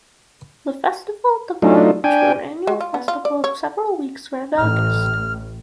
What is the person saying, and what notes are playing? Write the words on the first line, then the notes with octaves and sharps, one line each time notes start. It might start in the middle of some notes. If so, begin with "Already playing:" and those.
The festival developed to an annual festival of several weeks around August.
F#3 A3 D4 D#4 F4
D4 G5 G#5
G#3
F4
B3
F4
D5
C#5
A1 A2 F6